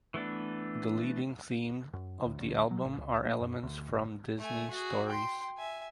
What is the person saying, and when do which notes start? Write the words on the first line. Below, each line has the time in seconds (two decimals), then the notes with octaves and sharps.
The leading theme of the album are elements from Disney stories.
0.14 E3 A3 B3 D4
1.93 F#2
2.26 D2
2.40 D2
2.71 F#3
2.85 A1
2.99 C#2
3.25 A#3
3.40 F#2
3.63 D2
3.88 G1
4.39 A3 G#5
4.71 F#4 G#4
5.08 G5 C6
5.58 E5 G#5